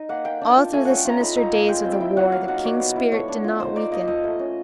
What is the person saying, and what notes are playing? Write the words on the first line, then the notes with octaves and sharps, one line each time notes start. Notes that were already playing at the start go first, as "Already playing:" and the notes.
All through the sinister days of the war the King's spirit did not weaken.
Already playing: D#4
A#3 F#5
A#3 G5
D4
A5
F4
A3 G#5
C#4 F#5
G5
F4 A#5
D#4 B5
D#4 A#5
A#3 A5
G#3 G5
C4
G5
E4
F#3 F#5
A#3 F5
D#4 F#5
F#3 D5
B3
E4
A3 C#5
D4
F4
D#4 C5
D#4 D5
A#3 D#5
F4 D#5
A3
C#4